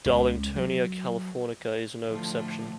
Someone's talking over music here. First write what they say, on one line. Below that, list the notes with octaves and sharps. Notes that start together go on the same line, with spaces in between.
"Darlingtonia californica" is no exception.
C#2
F#3
A2 D3 F3